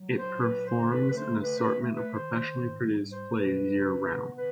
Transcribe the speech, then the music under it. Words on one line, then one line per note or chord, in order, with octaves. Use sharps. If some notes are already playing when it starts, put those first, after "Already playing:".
It performs an assortment of professionally produced plays year-round.
Already playing: F#3
C5
A#2
B4
D3 C5
B4
A3
B4
C5
C#3 B4
C5
B4
A3
B4
D#3 C5
G#2
G3
C5
B2
B4
C#3
B3
D3 B4